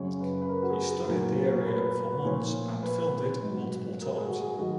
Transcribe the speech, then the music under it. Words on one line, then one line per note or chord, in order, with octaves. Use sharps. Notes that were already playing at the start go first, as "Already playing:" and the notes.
He studied the area for months and filmed it multiple times.
Already playing: F#2 C#3 F#3 C#5
B4
B4
A#4
F#4
G#4
G#4
A#2 F#3 A#4
B4
C#5
A#4
B4
B4
A#2 F3 C#5
B4
G#2 F#3
A#4
G#4
F#4
G#4
G#4
D#3 F#3 F#4